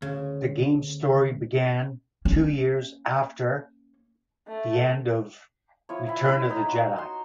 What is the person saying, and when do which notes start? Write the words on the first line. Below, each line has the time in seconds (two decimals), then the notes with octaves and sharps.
The game's story began two years after the end of "Return of the Jedi".
0.02 D2 C#3
2.25 A#3 C#4
4.48 A3
5.89 F3 E4 C#5
6.09 E4
6.29 E4
6.50 D#4 A#5
6.68 F#4
6.98 C6